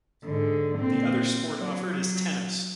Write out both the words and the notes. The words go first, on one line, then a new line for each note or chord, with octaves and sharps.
The other sport offered is tennis.
G#2 D3
A#2 C4
F#3